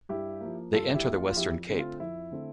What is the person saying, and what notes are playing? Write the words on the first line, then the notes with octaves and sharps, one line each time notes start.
They enter the Western Cape.
G2 E4 G4
F3 A#3
G2 F4 A4
E4 G4
F3 A#3
F4
F4
F2 E4 G4
D3 A3 C4
F4
F2 E4
D3 A3 C4